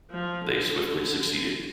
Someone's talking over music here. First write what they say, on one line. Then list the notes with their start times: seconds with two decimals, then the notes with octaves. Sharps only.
They swiftly succeeded.
0.10 F3
0.46 D3